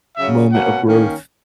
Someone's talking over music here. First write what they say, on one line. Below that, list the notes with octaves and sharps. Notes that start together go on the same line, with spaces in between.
moment of growth
C#3 F#3 C#4 E5
B2 A#3 C#4 F#5
D#3 A#3 C#4